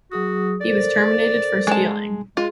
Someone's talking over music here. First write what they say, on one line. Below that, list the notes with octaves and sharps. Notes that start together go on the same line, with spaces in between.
He was terminated for stealing.
F#3 F#4 G#4 D#6
A4 A#4 C5 D5
G#3 A5
G#3 F4 G#4